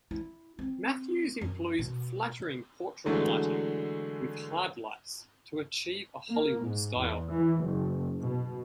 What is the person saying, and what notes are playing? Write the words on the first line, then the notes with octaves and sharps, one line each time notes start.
Matthews employs flattering portrait lighting with hard lights to achieve a Hollywood style.
E4
C4
F#2
B2
D3 E3 F#3 G#3 A3
A#3
G#2
E2
E3
F#1
B2